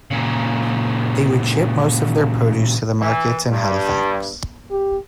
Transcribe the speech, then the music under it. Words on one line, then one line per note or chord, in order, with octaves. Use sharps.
They would ship most of their produce to the markets in Halifax.
A#2 C#3
E3
G2
G4